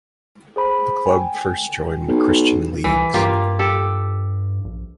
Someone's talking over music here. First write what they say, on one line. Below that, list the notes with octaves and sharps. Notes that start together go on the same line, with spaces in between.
The club first joined Christian leagues.
G#4 C5 B5
G5 G#5
B1
C2 E3
G2 A#3 F4 G4
G4 A4
A#1